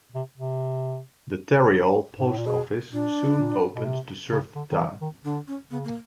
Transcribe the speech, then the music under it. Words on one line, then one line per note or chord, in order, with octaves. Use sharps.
The Tarryall Post Office soon opened to serve the town.
C3
C3
G#2
A2
A#2
B2 G#4
A#2 D4
A#2
B2
C3
C#3
D3
D#3
E3
D#3
D3 D4
C#4
C#3 B3
A#3